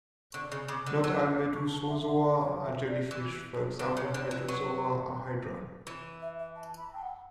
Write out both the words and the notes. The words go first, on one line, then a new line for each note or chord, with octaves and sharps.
Not all Medusozoa are jellyfish; for example, Hydrozoa are hydra.
D3 C#6
C#3
C#3 D6
D3
F#3 E6
D6
E6
D6
C#6
A5
E5
E5
D5
C#5
E5
D5
E3
D3 B4
C#3
C#5
D3
E3 B4
F#3
E3
E5
E5
A5
B5
A5
G5
F#5